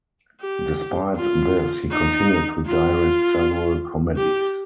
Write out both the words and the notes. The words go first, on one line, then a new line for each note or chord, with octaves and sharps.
Despite this, he continued to direct several comedies.
G4
F4
D#4
F4
G4